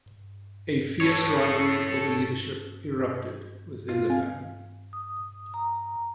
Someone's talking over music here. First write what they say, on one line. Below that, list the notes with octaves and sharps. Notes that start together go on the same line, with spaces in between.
A fierce rivalry for the leadership erupted within the family.
A4 C#5
F4
C4 F5 G#5
D#6
A#5